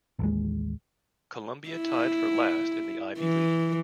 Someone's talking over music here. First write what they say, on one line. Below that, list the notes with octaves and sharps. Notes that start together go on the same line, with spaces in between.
Columbia tied for last in the Ivy League.
A1 D#2 G#3
E4
E3